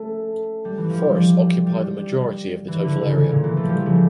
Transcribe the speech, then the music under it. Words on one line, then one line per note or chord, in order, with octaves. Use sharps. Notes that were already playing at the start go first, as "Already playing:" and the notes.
Forests occupy the majority of the total area.
Already playing: A3 C#4
G3
E3
F3
G3
G3
G3
E3
D3
C#3
C#3
A#2
E3
A3
F3
G3
C#3